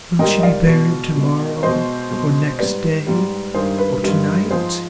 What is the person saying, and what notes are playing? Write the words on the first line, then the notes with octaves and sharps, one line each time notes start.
'Will she be buried to-morrow, or next day, or to-night?
G#2 D#3 G3 D#5 G5
D#5
D5 F5
B2 G#3
B2 G#3
B2 G#3 C5 D#5
B2 G#3
G#2 G3 B4 D5
G#2 G3
G2 D#3 G#3 G#4 C5
B4
G2 D#3 G#3
G#2 F3 G#3 G#4 C5